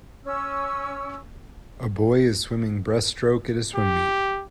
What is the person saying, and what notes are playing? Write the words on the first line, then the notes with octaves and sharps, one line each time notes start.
A boy is swimming breaststroke at a swim meet.
C#4 E6
G4